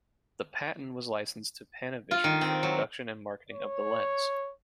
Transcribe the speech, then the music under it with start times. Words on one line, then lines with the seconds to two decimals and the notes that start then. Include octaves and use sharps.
The patent was licensed to Panavision for production and marketing of the lens.
2.11 F4
2.24 D#3
2.41 C4
2.63 F#3
3.52 C#5